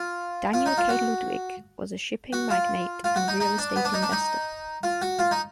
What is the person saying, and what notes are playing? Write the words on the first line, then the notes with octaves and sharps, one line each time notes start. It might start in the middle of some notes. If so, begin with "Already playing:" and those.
Daniel K. Ludwig was a shipping magnate and real estate investor.
Already playing: F4
F4
D#4
F4
F#4
F#4
F4
F4
F#4
D#4
D#4
D4
B3
D4
D#4
D4
D#4
F4
F#4
F4
D#4